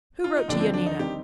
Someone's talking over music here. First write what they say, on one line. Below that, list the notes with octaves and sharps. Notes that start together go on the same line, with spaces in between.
"Who wrote to Yanina?"
F4
D#4
D#2 D3 F3 D4
C4
D4
D#4
D#3 G3 C4 D#4 G4